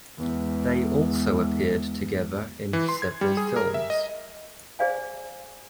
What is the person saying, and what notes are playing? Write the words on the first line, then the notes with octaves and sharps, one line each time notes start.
They also appeared together in several films.
E2 G#3
E3
C6
G#6
G3
G#4
A#4
E5
D#5
G#4 C5 D5 F5 G#5